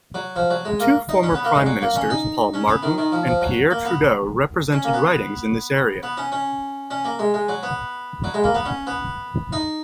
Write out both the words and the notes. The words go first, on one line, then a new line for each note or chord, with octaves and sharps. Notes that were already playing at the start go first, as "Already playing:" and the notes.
Two former Prime Ministers, Paul Martin and Pierre Trudeau, represented ridings in this area.
F#3
F3
F#3
G#3
A#3
D#4
C#4
B3
A#3
G#3
F#3
A#3
C#4
D#4
C#4
B3
D#3
D#3
F3
F3
F#3
A#3
B3
C#4
A#3
B3
B3
C#4
C#4
C#4
A#3
G#3
G#3
F#3
B3
F#3
G#3
A#3
B3
C#4
B3
D#4